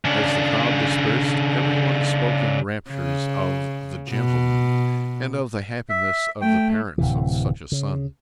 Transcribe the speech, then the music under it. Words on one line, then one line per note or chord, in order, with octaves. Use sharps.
As the crowd dispersed, every one spoke in raptures of the "gentleman" and of the happiness of the parents of such a son.
C#3 D4
C#3
B2
E5
A3 G5
D1 C3 E3
C#3